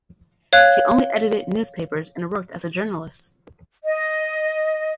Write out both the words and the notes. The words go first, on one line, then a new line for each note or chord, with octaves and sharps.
She only edited newspapers and worked as a journalist.
C#5 F5 F#6 G#6
D#5